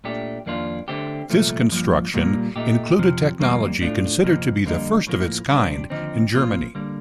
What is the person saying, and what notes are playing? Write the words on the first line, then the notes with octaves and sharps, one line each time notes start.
This construction included technology considered to be the first of its kind in Germany.
A#2 A3 D4 G4
F2 D#3 A#3 D4 F4
D3 A3 C4 G4
C2 A#2 F3 A3
G2 F3 A#3
A#2 G3 A#3
A#2 A3 D#4 G4
F2 C3 F3
F2 D#3 G3 A#3
A2 A3 D4 F4
F2 C3 F3 A#3
F2 D3 G3 A#3 D#4
A2 F3 A#3
C2 C3 G3 D4
D#2 D3 F3 C4 D#4
A#2 F3 A#3 F4
D3 G3 A#3